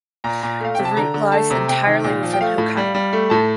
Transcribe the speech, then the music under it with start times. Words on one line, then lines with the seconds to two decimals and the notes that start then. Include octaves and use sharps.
The route lies entirely within Hokkaido.
0.24 A#2 A#5
0.42 A#2 A#5
0.60 A3 F5
0.75 C3 G5
0.85 A5
0.97 D3 A#5
1.14 D3
1.32 A3 A5
1.50 C3 A#5
1.68 C3 G5
1.87 D#3
2.04 A#2
2.23 F3
2.33 G5
2.41 A3 F5
2.58 A2
2.77 G3
2.95 G3
3.13 A3
3.30 A2 A5